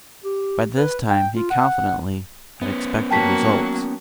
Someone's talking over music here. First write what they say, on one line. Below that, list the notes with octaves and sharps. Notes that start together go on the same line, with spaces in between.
By this time he confidently had expected results.
G4
B4
G5
F4
F#5
B3 C#4
F#3 A#3 G5 A5 B6